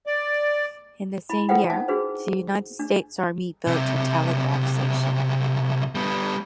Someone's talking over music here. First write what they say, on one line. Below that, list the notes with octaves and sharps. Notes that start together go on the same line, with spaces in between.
In the same year, the United States Army built a telegraph station.
D5
E4 B5
F4 A4 B4 C5 F#5 G5
D#4 A5
D4 F#4 G#4 B4 C5
D4
B1 C3
G3 B3